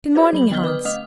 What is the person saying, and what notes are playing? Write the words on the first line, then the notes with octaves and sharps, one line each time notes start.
'Good morning, Hans.
F#4 G#4 B4 C5 D5
F#3 B5 F#7
D3 B3 D#5 F6 G7
B4 D6 D#6 F6
A3 D#5 D#6 F6 F7